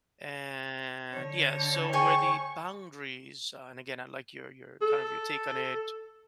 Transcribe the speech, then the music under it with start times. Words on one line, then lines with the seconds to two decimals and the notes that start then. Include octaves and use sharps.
And yeah, so where the boundaries, uh and, again, I like your your kind of your take on it,
1.11 D3 C#5
1.93 G#4 G5 G#5 C#6
4.82 A4